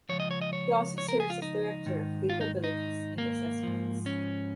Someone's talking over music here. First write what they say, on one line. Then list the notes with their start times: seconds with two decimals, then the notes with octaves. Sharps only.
He also serves as Director of Capabilities and Assessments.
0.09 C#2 C#3 F3 C#5
0.20 D#5
0.31 C#5
0.42 D#5
0.53 C#5
0.98 C#5
1.08 A#4
1.20 G#4
1.30 F4
1.42 D#4
1.86 G#2 D#3
2.30 F4
2.41 D#4
2.64 D#4
3.18 A#3
3.63 G#2 F3
4.06 C#4